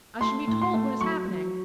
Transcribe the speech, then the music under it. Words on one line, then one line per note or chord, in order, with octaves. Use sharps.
"I should be told what is happening."
A3 C6
A2
C6
A3
F#3 C#6
F#3